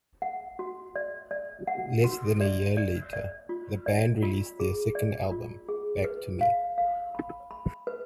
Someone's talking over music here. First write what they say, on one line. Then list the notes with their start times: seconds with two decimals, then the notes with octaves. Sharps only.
Less than a year later, the band released their second album, "Back to Me".
0.22 F#5
0.59 F#4
0.96 D5
1.31 D5
1.67 F#5
2.04 F#4
2.41 D5
2.77 D5
3.13 D5
3.49 F4
3.86 D5
4.23 F4
4.60 G#4
4.95 D5
5.31 F4
5.69 G#4
6.04 B4
6.41 F5
6.78 F5
7.15 B5
7.51 B5
7.87 B4